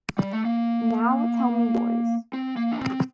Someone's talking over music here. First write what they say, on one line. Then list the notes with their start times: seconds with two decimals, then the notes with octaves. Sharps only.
Now tell me yours.
0.18 G3
0.32 A3
0.45 A#3
2.33 C4
2.56 A#3
2.72 D4
2.79 C4